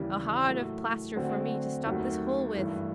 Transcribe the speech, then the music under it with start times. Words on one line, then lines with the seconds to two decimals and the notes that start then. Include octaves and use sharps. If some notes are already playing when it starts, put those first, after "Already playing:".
A hod of plaster for me to stop this hole with!
Already playing: D#2 C#3 E3 G3
0.46 A2 F#3 A3
1.16 D3 F#3 A3 C4
1.86 D#2 D#3 F#3 A3
2.56 G2 E3 A3